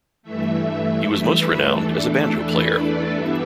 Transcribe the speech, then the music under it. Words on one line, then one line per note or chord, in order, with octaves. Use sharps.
He was most renowned as a banjo player.
G2 E3 A3 E5
B4
E2 E3 A3 D4 A4
B4
D5
G2 E3 G3 B3 D4 E5